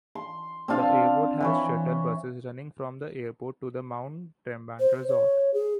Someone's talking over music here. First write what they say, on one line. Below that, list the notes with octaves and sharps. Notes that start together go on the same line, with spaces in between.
The airport has shuttle buses running from the airport to the Mont Tremblant Resort.
C6
C4 D4 F4 F5
E3 E4 C#5
C5
C#5
G#4